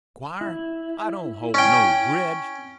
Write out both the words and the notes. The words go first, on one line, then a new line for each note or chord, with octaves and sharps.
Squire, I don't hold no gredge.
E4
C#4 G5